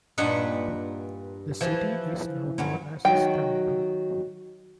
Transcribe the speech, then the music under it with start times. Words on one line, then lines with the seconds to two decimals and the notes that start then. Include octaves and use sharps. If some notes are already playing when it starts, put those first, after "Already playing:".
The city is now known as Istanbul.
0.18 G2 A#2 D4 D#4 B4 F#5
1.61 E3 F3
2.58 G2 F#3 C#4
3.05 D#3 F#3 F#4 G5